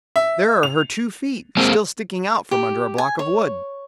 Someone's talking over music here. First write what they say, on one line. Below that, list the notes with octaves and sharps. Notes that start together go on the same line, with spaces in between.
"There are her two feet, still sticking out from under a block of wood."
E5
F7
G#3 A#3 C4
G4
G#5
C#5